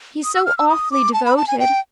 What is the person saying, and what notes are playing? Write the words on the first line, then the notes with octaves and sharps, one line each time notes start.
"He's so awfully devoted!"
D#6
E6
F6
E6
D#6
D6
A5
B5
A5
G#5
G5